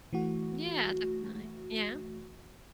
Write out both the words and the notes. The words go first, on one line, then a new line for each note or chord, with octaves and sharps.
Yeah, definitely. Yeah.
E3 A3 F#4